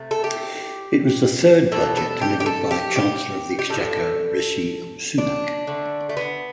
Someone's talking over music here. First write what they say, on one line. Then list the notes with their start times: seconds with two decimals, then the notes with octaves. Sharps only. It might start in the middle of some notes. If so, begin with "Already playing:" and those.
It was the third budget delivered by Chancellor of the Exchequer Rishi Sunak.
Already playing: C3 A3
0.11 A4
0.24 G4
1.72 B2 G3 A4
1.97 A4
2.21 G4
2.40 G4
2.46 A4
2.71 G4
2.96 G4
3.59 G4
3.70 A2 G3 A4
5.18 D4
5.67 D3 A3
6.09 A3
6.17 B3